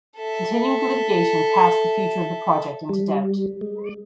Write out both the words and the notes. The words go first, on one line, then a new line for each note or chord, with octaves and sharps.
Continuing litigation cast the future of the project into doubt.
A4 E5
G3
G#3